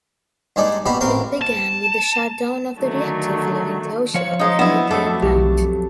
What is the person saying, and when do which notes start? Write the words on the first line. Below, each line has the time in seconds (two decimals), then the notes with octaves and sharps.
It began with the shutdown of the reactor following closure of nuclear plant.
0.56 G2 G#3 D#4 D5
0.86 B2 F#4 G4 B5
1.01 A1 C4 A#4 F5 G5
1.42 A5
2.81 D3 D#3 F#3 A3 D4
4.14 F3 C5 C#5 F5 C#7
4.39 G#3 D#4
4.59 F#3 B3 D4 E4 E7
4.91 F2 F#3 A3 D6 E6
5.23 B1 E3 G4